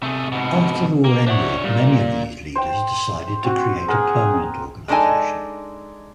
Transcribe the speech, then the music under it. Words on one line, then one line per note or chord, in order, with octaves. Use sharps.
After the war ended, many of these leaders decided to create a permanent organization.
C3 A3 G#4
G#2 B2
A#3
D4 C5 C#5 E5 F#5
A#2 G3
C5 G5
C4 F#4
G#4 A#4 F#5
G#3 A3 D4 D#4 A4 G#5